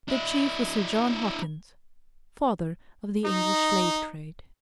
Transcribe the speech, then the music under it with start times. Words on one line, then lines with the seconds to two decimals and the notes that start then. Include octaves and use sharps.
Their chief was Sir John Hawkins, father of the English slave-trade.
0.08 D4 E4
3.24 D#4